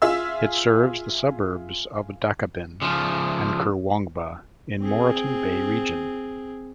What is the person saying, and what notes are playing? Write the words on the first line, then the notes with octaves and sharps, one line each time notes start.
It serves the suburbs of Dakabin and Kurwongbah in the Moreton Bay Region.
F4 G#4 E5 E6
C#3 F3
C4 G#4